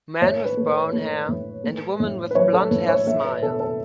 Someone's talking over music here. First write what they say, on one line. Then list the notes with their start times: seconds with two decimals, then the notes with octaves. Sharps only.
Man with brown hair and a woman with blondhair smile.
0.22 A2 C#5
0.45 B4
0.57 A3
0.69 B4
0.93 A3
1.28 A2
1.64 A3
2.00 A2
2.31 B4
2.35 F#3 C#5
2.53 A4
2.71 A2 B4
2.89 C#5
3.07 A3 E5
3.24 B4
3.42 B2 A4
3.60 A4